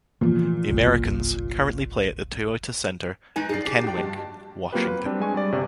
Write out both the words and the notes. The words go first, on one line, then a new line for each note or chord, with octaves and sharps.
The Americans currently play at the Toyota Center in Kennewick, Washington.
A#2 E3 F3
G1 C2 F#2
G#3 D#4 B4 G#5
D#4 G#4 D5 C7
D4 G4
F#4 G5
G2 A5
F#3 A#3 C4 F4 G4 B4
B4
G3 C4 D4
G#3 G#5 C#6
G3 D5
G1 C3 G3 D5